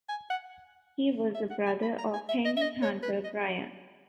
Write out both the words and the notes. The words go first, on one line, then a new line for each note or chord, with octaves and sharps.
He was a brother of Henry Hunter Bryan.
G#5
F#5
E5
F#5
G#5
B5
A#5
G#5
E5
D#5
E5
D#5
C#5
B4
D#5